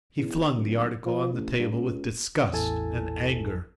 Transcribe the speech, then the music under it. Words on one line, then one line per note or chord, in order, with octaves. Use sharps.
He flung the article on the table with disgust and anger.
E2
D1
F3
A1
G2
C#2
A1 E2 E4 A4 G#5 A5